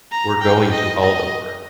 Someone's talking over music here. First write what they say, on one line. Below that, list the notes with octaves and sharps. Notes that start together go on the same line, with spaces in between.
We’re going to Aldover.
A#5
G5
D#5
D#5